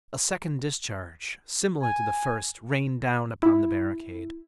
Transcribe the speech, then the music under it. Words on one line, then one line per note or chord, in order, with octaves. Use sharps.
A second discharge, similar to the first, rained down upon the barricade.
G#5
E4